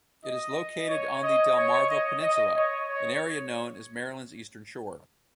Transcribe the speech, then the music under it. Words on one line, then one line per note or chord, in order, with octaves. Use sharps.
It is located on the Delmarva Peninsula, an area known as Maryland's Eastern Shore.
D#5
C#5
D#5
C#5
D#5
D#5
C#5
C#5